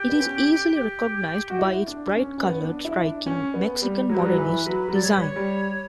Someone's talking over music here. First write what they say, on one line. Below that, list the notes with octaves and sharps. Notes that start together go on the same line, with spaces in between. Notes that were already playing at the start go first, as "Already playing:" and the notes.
It is easily recognized by its bright-colored, striking "Mexican Modernist" design.
Already playing: G4
B3
C#4
G4
F#4
E4
D4
C#4
C#4
B3
D4
E4
D4
C#4
B3
G3
F#3 C#5
G3 B4
F#3
E3
F#3
F#3
G3 D5
C#5
B4
C#5
G3